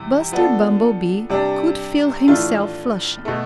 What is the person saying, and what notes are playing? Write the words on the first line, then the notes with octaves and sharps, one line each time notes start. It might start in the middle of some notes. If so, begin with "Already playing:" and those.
Buster Bumblebee could feel himself flushing.
Already playing: E2 C3 G3
F3 B3 D4 A4
C3 G3 D4
A2 E3 A3 D4 F4
B2 A3